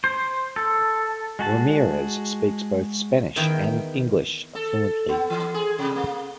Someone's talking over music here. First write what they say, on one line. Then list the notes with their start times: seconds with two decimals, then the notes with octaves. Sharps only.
Ramirez speaks both Spanish and English fluently.
0.04 C5
0.56 A4
1.39 G#3 F#4 A5
3.36 E2 D#3 E4 D#5 G5
4.55 A4
5.09 B3
5.30 E3
5.54 G#4
5.78 C3
5.96 A#3